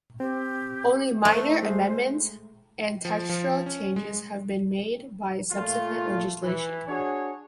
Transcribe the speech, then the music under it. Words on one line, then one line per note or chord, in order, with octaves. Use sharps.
Only minor amendments and textural changes have been made by subsequent legislation.
C4 G4
A3 C5
G#3
F3
F3
C#4
G#3
A#2 A3 F4
E3
D4 F#4 G#4 C#5